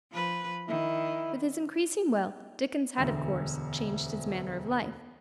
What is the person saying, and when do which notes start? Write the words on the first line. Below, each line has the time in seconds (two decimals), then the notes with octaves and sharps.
With his increasing wealth, Dickens had, of course, changed his manner of life.
0.11 F3 B4
0.68 D#3 E4
2.97 E1 D2